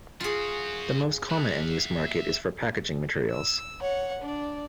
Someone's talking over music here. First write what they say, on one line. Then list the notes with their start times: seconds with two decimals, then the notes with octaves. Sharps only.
The most common end use market is for packaging materials.
0.21 F#2 F4 F#4 G#4
1.30 E5 F#5
3.31 E6
3.81 C#5 F#5
4.22 D4 D5